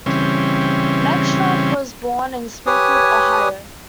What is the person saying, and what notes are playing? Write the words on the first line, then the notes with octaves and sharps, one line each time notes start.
Meckstroth was born in Springfield, Ohio.
C#3 E3 G3 C4 C#4
G4 B4 C#5 G#5 D#6